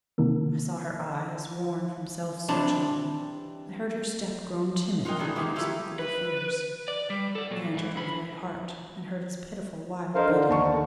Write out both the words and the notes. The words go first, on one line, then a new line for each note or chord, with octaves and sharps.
I saw her eyes, worn from self-searching; I heard her step grown timid from inexplicable fears; I entered her very heart and heard its pitiful, wild beating.
C3 D#3 E3 A#3
C3 E3 C4 D4 A5
F4 F#4 A#4 D#5 G5
D#3 E3 D4 G#4
G#3 A#3 B3 D#4 G4
F#3 A3 E4 F4 G4
B4
D5
G3
A4 D5
A#2 F#3
G#2 E3
D3 B5
D4 A4 A#4 C5 D#5 F5
D3 D#4
D#2 A5 C#6